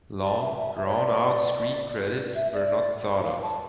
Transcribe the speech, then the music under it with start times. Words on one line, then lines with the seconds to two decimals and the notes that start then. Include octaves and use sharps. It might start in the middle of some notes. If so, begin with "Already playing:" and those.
Long, drawn out screen credits were not thought of.
0.23 D5
0.40 E5
0.57 E5
0.76 E5
0.85 C#5
0.93 D5
2.34 E5
2.53 D5
3.23 F5
3.41 A5